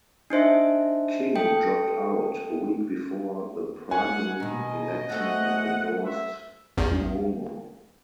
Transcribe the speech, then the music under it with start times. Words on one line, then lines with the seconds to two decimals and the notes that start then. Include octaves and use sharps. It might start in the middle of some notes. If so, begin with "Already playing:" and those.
King dropped out a week before the primary election and endorsed Cuomo.
0.30 D4 D#4 C5 E5
1.36 A4 G5
3.91 F#5 G#5
4.40 B2 D#3 D#5
5.10 A3 C4 F#4 F#5
6.04 E5
6.77 A1 E2